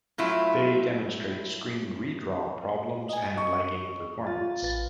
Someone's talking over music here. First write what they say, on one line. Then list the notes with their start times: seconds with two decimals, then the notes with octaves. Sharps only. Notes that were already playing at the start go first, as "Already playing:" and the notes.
They demonstrate screen redraw problems and lagging performance.
0.18 A2 F#3 E4 F4
3.09 D#5 G#5
3.37 D#5 C#6
4.27 F4 A6
4.63 A1 B4 A6